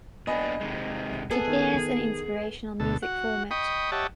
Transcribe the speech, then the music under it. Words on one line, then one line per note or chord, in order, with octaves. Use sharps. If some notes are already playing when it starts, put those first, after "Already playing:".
It airs an inspirational music format.
A#2 B3 D4 D#5 G#5 B5
C3 D#3 G#3
B3 G#4 A4
D#3
D2 B2 A4
F#4 F#5
D#5 G5 B5 C#6 D#6
G4 C#5 D#5 E5 F#5 A5